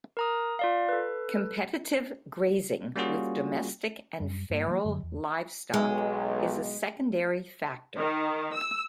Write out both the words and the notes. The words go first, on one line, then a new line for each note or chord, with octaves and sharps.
Competitive grazing with domestic and feral livestock is a secondary factor.
A#4 A#5 D#6
F4 D5 F5
A4 B4
G3 A#3 C#4 F4 F#4 G#4
F#2 G3
G2 G3 G#3 A#3
E3 F#3 G#3 A#3
F#2 D3 F#3
E2
B1 G#3
D#3
E6